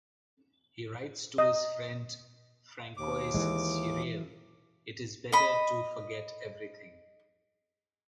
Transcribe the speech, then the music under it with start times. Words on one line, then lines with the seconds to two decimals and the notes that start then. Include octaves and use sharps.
He writes to his friend Francois Seurel: "It is better to forget everything".
1.38 D#5
2.97 D#2 D6
3.34 E3 G#3
5.32 D#5 B5